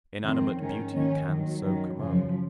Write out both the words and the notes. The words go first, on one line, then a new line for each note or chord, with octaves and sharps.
Inanimate beauty can so command.
F2 C3 D#3 C4
G#2 D#3 C#4
D#2 D#3 C#4
D#2 D#3 F#3
F#2 D#3
F#2 C#3 F3